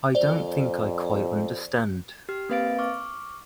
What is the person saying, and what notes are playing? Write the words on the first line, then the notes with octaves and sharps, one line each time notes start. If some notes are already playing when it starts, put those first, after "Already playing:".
I don't think I quite understand.
F2 C5 D5
G4 F6
A#3 C4 B4 F5 A6 D7
C#6 D6 F6